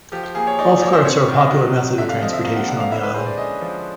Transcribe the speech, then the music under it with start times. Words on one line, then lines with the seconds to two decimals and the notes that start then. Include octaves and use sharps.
Golf carts are a popular method of transportation on the island.
0.12 F3 G4
0.23 G4
0.35 A#3 G#4
0.47 C#5
0.59 D#4 D5
0.70 D#5
0.81 F3 C#5
0.93 C5
1.05 C3 C#5
1.28 D#3
1.36 D#5
1.52 F#3
1.75 C3
1.98 D3 E5
2.09 F5
2.22 F3 D#5
2.33 E5
2.45 A#3 F5
2.56 F#5
2.68 D3 F#5
2.80 F5
2.91 E4 E5
3.03 B4
3.14 G#3 C5
3.26 D5
3.37 C#4 D#5
3.61 F3